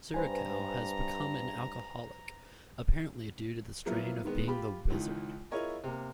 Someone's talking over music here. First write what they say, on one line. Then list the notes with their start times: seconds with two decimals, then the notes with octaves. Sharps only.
Cirocco has become an alcoholic, apparently due to the strain of being the "Wizard".
0.14 G2 B4 C5 G#5 A#5
3.86 F3 F#3 A#3 B3 E4 F4
4.25 D#3 G#3 B3
4.48 F4 G4 B5
4.90 C#2 D#3 E3
5.51 E4 F4 G#4 A#4 C#5 D#5
5.84 C3 A#3